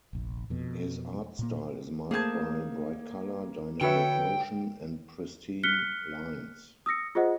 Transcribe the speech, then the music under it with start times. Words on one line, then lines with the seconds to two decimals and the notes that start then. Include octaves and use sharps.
His art style is marked by bright color, dynamic motion and pristine lines.
0.13 F1 A#1
0.50 F2 B2
1.39 A#2 A#3
2.11 A3 A#3 G#4 C5 A5 G#6
3.81 D3 F#4 A4 B4 C#5 E5 G5
5.63 F6 F#6 B6 C#7 G7
6.86 D#6 E6 A#6 C#7
7.15 F4 G#4 C5 D#5 F#5